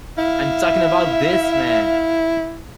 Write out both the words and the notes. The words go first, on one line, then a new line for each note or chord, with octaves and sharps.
I'm talking about this man.
E4 E5 F5